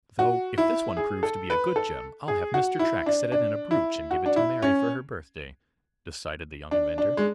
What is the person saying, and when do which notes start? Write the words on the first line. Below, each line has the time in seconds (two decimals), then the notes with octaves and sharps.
"Though if this one proves to be a good gem, I'll have Mr. Track set it in a brooch, and give it to Mary for her birthday," decided the young inventor.
0.19 F#4
0.58 E4
0.97 G#4
1.23 A4
1.50 B4
1.76 A4
2.28 G#4
2.54 F#4
2.79 E4
3.06 D4
3.32 D4
3.71 E4
4.11 F#4
4.26 D4
4.36 E4
4.62 C#4
6.71 D4
6.98 D4
7.17 G#3